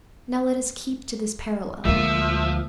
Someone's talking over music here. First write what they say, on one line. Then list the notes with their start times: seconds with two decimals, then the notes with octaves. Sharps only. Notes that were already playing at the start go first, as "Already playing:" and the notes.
Now let us keep to this parallel.
1.85 D2 D3 F3 G#3 A#3 E5